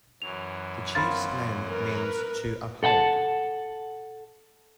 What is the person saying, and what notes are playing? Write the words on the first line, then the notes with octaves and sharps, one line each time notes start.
The chief's name means to uphold.
F#2 E3 F#3 F7
A#3 C4 F4 B5 A6
A#4 B4
A4 F#5 G5 A5